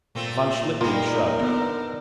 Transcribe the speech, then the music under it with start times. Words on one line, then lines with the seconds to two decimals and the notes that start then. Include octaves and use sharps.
Von Schlichten shrugged.
0.15 A#2 A3 A#3 C4
0.81 G3 G#3 A#3 B3 D#4 F4 A#4
1.39 D3 B3